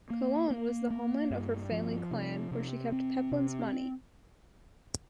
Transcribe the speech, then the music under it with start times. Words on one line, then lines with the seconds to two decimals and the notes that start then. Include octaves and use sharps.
Cologne was the homeland of her family clan and where she kept Pepin's money.
0.10 A#3
0.50 A#3
0.90 A#3
1.30 G2
1.71 F3
2.11 C3
2.51 C3
2.92 C4
3.32 C3